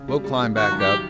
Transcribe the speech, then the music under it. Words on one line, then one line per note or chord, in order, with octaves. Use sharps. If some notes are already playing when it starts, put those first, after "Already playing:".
We'll climb back up.
Already playing: C#3
G3
G3
G3
D#3 F#4
F#2
G4
G3